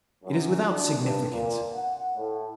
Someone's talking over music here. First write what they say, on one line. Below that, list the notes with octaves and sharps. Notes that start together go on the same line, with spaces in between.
It is without significance!
F#2
D4
G2
A#2
F#5
A2